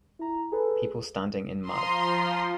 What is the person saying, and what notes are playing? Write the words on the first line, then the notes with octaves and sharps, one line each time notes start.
People standing in mud.
E4 A#5
G#4 A4 B4
F3 A#5 C6 D#6